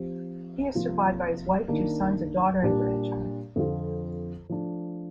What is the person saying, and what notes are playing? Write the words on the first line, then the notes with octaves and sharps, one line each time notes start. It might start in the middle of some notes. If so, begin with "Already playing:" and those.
He is survived by his wife, two sons, a daughter and grandchild.
Already playing: F3 C4 G4
C3 F3 A#3 F4
D#3 A#3 D4
A#2 G3 D4 G4
F2 D3 F3 C4 F4
F3 A3 D4